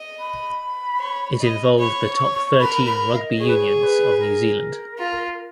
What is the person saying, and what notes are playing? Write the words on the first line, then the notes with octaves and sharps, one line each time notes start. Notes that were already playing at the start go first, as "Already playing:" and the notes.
It involved the top thirteen rugby unions of New Zealand.
Already playing: D#5
B5
C#5
D#5
C#5 B5
C#6
C#5
C#6
A#4 B5
B5
F5
D#5
G#4 C#5
B4
C#5
C#5
B4
A#4
F4